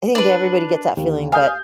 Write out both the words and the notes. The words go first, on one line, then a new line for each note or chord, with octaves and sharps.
I think everybody gets that feeling, but
D4 B4
D#2
F5 G#5 D#6 G6